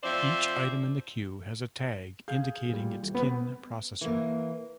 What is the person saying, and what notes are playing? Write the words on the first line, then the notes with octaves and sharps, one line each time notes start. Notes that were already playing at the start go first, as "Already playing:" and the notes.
Each item in the queue has a tag indicating its kin processor.
F3 C4 C5 D5 E5
G#4 F5 G6
A#2 G3
D#1
B3
E3 A#3